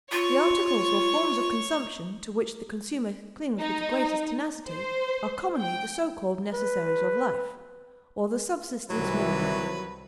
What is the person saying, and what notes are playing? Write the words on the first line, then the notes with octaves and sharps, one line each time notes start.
The articles or forms of consumption to which the consumer clings with the greatest tenacity are commonly the so-called necessaries of life, or the subsistence minimum.
F4 C#5 C#6
D#4
C5
G5
B4
C2 D#3 E3 F#3 E4 B4